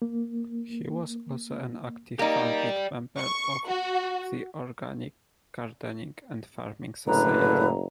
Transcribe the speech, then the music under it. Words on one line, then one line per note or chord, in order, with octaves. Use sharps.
He was also an active founding member of the Organic Gardening and Farming Society.
A#3
A#3 D#4 G4 D5
C#6
F#4
F#1 A2 D3 B4 A#5